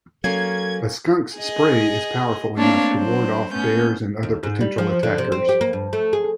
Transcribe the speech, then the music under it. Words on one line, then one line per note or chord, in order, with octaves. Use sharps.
A skunk's spray is powerful enough to ward off bears and other potential attackers.
F#3 A#3 C#4 A4 G#6
G#4 D#5
A3 A#3 C4 D4 C#5 F5
F#3 D4 C5
A3 B3 C#4 G6
D#2
G#2
G3
F3
D3
C3
C4
G4
A#3
G2
A3
G#4